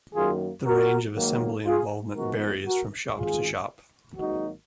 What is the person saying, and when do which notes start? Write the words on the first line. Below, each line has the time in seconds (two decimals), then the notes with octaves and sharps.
The range of assembly involvement varies from shop to shop.
0.14 F#2 D#3 F#3 A#3 F4 G#4
0.65 F#4 A#4
1.15 G#2 D#3 F#3 A#3
1.65 F4 G#4
2.15 G#2 F3 G#3 B3 F#4 A#4
2.66 F#4 A#4
3.16 G#1 G#2 D#3 F4 G#4
4.16 G#1 G#2 F#3 A#3 D#4 F#4